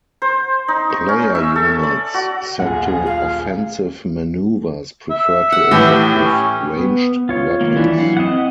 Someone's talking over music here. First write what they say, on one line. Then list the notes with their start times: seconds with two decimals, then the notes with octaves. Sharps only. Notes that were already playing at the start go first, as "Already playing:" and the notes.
Player units set to offensive maneuvers prefer to attack with ranged weapons.
0.22 C5
0.68 D#4
0.90 C#6
1.08 C#4
1.35 E5
1.56 A4
1.83 D5
2.14 F#4
2.60 D#1 B1 F4 G#4 F#5
3.06 F5
5.11 E5
5.52 F#5
5.71 A2 E3 G4
6.26 C#4
6.77 B3
7.29 F4 C#5
7.61 D#3 A#3
7.76 E3 G3 D4
7.99 F#3 F5 F#5
8.17 B3 C4 D#5 F#5